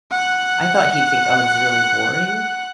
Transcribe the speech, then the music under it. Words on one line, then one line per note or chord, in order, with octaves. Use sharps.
I thought he'd think, "Oh, this is really boring."
F#5 F#6